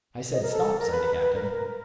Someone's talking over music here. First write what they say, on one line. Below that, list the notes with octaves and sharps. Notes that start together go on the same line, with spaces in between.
"I said, 'Stop,'" said the Captain.
D#5
A#4
A4
A#4
B4
B4
A#4
B4
A#4